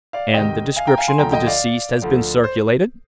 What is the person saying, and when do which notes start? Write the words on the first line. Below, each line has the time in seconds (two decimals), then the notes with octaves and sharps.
"And the description of the deceased has been circulated?"
0.13 D5 F5
0.34 D2 C3 D#3 D#5 G5
0.76 F5 G#5
0.87 G5 A#5
0.97 F5 G#5
1.08 G#5 C6
1.18 D2 D3 F3 G5 A#5
1.32 D#5 G5
1.46 D5 F5
2.02 D2 D3 F3
2.44 C5